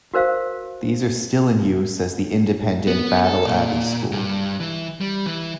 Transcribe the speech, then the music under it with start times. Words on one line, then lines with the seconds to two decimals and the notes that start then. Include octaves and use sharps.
These are still in use as the independent Battle Abbey School.
0.14 F#4 A#4 C5 F5
2.87 B3
3.24 A4
3.46 A#2
4.12 G2
4.60 E3
5.01 G3
5.26 E3